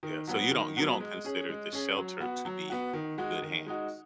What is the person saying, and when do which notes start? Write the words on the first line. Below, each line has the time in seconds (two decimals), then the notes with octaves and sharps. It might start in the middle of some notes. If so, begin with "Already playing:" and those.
Yeah, so you don't you don't consider the shelter to be good hands?
0.03 D#3
0.27 F#3 B3 F#4
0.51 D#3
0.76 F#3 B3 F#4
1.00 G#3
1.24 C#4 G#4
1.49 G#3
1.73 C#4 G#4
1.97 F#3
2.21 B3 F#4
2.45 F#3
2.70 B3 F#4
2.93 D#3
3.18 G#3 D#4 F#4
3.42 D#3
3.66 G#3 D#4 F#4